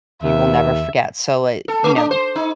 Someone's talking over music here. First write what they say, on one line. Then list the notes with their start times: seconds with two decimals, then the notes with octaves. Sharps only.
you will never forget, so, uh, you know,
0.23 D#2 E5
1.68 A4
1.84 A3
1.96 D4
2.11 C5
2.36 D#4